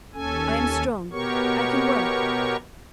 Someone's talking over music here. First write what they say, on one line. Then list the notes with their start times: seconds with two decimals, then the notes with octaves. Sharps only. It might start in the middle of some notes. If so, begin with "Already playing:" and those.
I am strong. I can work.
0.14 D#2 C#4 A4 G#5
1.12 B2 B3 G4 A#4 C#5 C#6